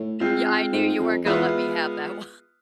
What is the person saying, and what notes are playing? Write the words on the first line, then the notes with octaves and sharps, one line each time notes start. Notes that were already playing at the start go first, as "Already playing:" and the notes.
Yeah, I knew you weren't gonna let me have that one.
Already playing: A2
G#3 C4 F4
G#2
F2
E2 G#3 B3 F4 B4 E5